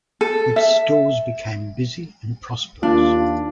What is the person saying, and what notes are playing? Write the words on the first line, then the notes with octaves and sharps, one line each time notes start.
Its stores became busy and prosperous.
A4
E5
D#2 A#3 D4 F4